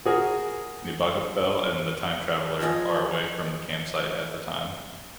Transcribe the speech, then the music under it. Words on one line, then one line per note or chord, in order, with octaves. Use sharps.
Nebogipfel and the Time Traveller are away from the campsite at the time.
F#4 G#4 A#4
F3 D#5 G5 G#5